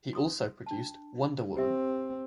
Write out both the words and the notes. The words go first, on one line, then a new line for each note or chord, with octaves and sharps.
He also produced "Wonder Woman".
C6 D#6
D4 A5
C4 G4 E5